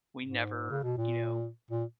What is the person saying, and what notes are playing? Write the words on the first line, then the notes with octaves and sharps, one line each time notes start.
we never you know,
G#2
C#3
B2
A#2
A#2